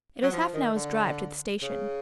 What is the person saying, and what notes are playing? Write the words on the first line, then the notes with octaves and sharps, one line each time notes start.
It was half-an-hour's drive to the station.
F#3
F3
D#3
D3
C#3